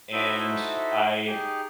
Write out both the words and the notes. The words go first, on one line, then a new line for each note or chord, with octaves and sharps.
and I
D#4 E4 F#4 A4 C5 E5
D#4 G4 G#4